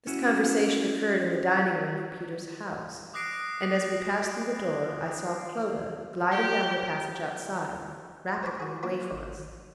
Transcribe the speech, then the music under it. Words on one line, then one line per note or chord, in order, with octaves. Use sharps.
This conversation occurred in the dining-room of Peters' house: and as we passed through the door, I saw Clodagh gliding down the passage outside--rapidly--away from us.
C#4 E4 F#4
D6 D#6 F#6 A#6 C7 D7
G4
C5 C#5 A5 B5 D6
F#4 G#4
F3 A#3 D4 F4 F#4 D5
G#1